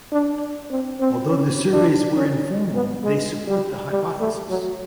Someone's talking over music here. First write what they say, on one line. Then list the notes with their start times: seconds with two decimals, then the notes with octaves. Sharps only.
Although the surveys were informal, they support the hypothesis.
0.12 D4
0.70 C4
1.00 C4
1.28 C#4
1.72 D4
2.16 C#4
2.74 B3
3.03 G#3
3.47 G3
3.91 G3
4.20 A3
4.50 F#3